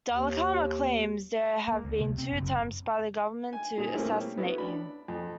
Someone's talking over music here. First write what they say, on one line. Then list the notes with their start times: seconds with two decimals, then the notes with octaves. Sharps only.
Dhlakama claims there have been two attempts by the government to assassinate him.
0.10 D#2
1.68 A#3
1.84 D2
2.00 C3
2.18 C4
2.32 F#1
3.53 G#5
3.78 A#2 G#4
3.95 G3 A3 A#3 C4 C#4 E4
4.37 B3 C#4 E4 F#4
4.58 D4 B5
5.08 F2